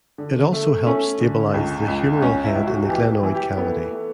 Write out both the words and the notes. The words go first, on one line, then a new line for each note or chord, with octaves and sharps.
It also helps stabilise the humeral head in the glenoid cavity.
D3
A3
A3 C#4
D3
C#2
C#2
C#2 C#4
E4
C#2
F#4
E3 G4
E3
G4
A3 B3
A3